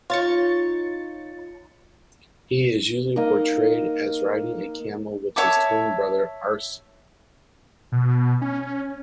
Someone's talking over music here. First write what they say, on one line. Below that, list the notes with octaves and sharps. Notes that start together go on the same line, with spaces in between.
He is usually portrayed as riding a camel with his twin brother Arsu.
D#4 F4 C#5 A6 C#7
A#3 D#4 D#5
C#5 E5 A5 D6
B2
C#4